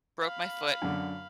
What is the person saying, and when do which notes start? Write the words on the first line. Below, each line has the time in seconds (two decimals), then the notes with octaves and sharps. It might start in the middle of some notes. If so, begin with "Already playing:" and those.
broke my foot,
0.22 F5 B5
0.82 F#2 D3